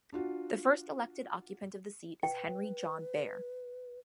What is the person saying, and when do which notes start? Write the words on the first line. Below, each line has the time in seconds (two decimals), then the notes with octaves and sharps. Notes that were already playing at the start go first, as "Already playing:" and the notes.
The first elected occupant of the seat is Henry John Bear.
0.12 D4 F4 F#4
2.23 B4 G5